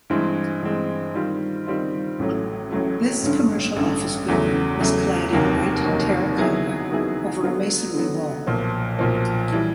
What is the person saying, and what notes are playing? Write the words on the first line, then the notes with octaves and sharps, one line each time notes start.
This commercial office building is clad in white terra cotta over a masonry wall.
G2 E3 G#3 C4
G2 E3 G#3 C4
D#3 G3 C4 F4
D#3 G3 C4 F4
A1 A2 F#3 A3
A1 A2 F#3 A3
A1 G2 D3
A1 G2 D3
E2 C#3 F#3 A3
E2 C#3 F#3 A3
F1 D#2 D#3 F#3 A#3
F1 D#2 D#3 F#3 A#3
D#3 F#3 B3 E4 G#4
D#3 F#3 B3 E4 G#4
D3 F#3 B3
D3 F#3 B3
B1 A#2 F3
B1 A#2 F3
E3 G3